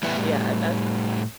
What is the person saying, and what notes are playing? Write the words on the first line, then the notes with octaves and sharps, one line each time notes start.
yeah, that's
A2 G3 B3 E4